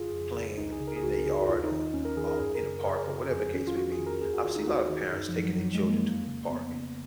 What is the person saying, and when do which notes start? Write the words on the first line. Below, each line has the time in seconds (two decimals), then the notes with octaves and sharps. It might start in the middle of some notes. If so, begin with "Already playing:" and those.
playing in their yard or, um, in a park, or whatever the case may be. I've seen a lot of parents taking their children to the park and
Already playing: F2 C#3 F4 G#4
0.12 F2
0.35 C#3
0.57 C#2 D#4
0.72 G#4
0.80 C#3
0.87 A#4
0.96 G#4
1.03 C#2 F#4
1.14 A#4
1.25 C#3 G#4
1.38 F#4
1.48 D#2 F4
1.63 D#4
1.71 D#3
1.79 D#4
1.93 D#2 C#4
2.05 A#4
2.17 D#3 G#4
2.28 A#4
2.39 F#2 G#4
2.55 A#4
2.62 C#3
2.79 A#4
2.85 F#2 G#4
2.96 A#4
3.08 C#3
3.21 A#4
3.30 F2 G#4
3.53 D#3 C#4
3.67 F4
3.76 F2 F#4
3.92 G#4
3.99 D#3
4.06 A#4
4.21 D#2 G#4
4.33 F#4
4.44 D#3 F4
4.56 D#4
4.67 D#2 F#4
4.90 D#3 D#4
5.13 F#2 D#4
5.28 F3
5.36 D#3
5.43 F#3
5.58 F#2 F#3
5.74 G#3
5.82 D#3
5.89 A#3
6.04 F2
6.27 C#3
6.49 F2 B3
6.73 C#3